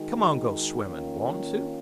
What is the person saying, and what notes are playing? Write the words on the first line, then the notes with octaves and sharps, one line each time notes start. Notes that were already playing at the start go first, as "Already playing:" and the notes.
"Come on go swimmin'--want to?"
Already playing: D#3 G#3 D#4 F#4
D#3 A#3 C#4 F4